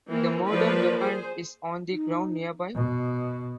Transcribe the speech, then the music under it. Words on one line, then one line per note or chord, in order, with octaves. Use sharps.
The murder weapon is on the ground nearby.
E3 A#3 C4
F3 A#3 F4 B4 D5
G#4 C5
D#4
B2